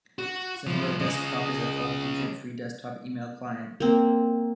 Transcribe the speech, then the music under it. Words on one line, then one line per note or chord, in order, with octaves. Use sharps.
Zimbra Desktop is a full-featured free desktop email client.
F#4
C2 F3
C#3 G#3 D#5
A#3 C4